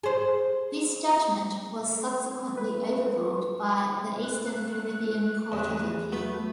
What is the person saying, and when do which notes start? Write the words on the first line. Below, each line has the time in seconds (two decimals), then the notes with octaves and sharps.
This judgement was subsequently over-ruled by the Eastern Caribbean Court of Appeal.
0.03 G#4 C5
2.57 B4
4.23 A3 F#6
5.52 A1 E2
6.12 A3 B3 B4